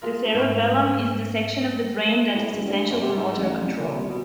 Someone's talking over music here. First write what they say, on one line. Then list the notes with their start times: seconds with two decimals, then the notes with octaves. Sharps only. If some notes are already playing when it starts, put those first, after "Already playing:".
The cerebellum is the section of the brain that is essential for motor control.
0.02 G#3 F4 A#4
0.35 G#2 A3 C4 E5 C#6 F6
2.35 A2
2.54 F#1
2.67 G2
2.90 F#2
3.02 C3
3.17 G#2
3.37 A1
3.62 F1
3.77 A#2
3.95 C2
4.09 B2